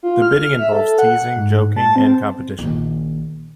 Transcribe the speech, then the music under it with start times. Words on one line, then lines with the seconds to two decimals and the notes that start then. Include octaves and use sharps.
The bidding involves teasing, joking, and competition.
0.03 F4
0.22 F6
0.59 E5
0.73 A4
0.99 F#5
1.36 G#2
1.76 A5
1.96 C4
2.59 A#1 D#3